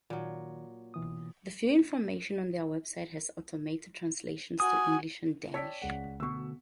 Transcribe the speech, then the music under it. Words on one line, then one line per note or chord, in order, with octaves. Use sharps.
The few information on their website has automated translations to English and Danish.
A#2 D#3 F#3
B2 E3 D#6
F#4 G#5 D#6
C#5 D5 G5 A5 E6 B6
C#2 F#5
D2 B2 C#6 E6